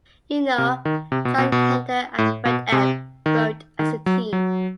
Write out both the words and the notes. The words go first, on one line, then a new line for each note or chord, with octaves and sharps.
You know, John Kander and Fred Ebb wrote as a team.
C3
D#3
C3
B2
B2
B2
A2
B2
C3
D#3
D#3
F#3
F#3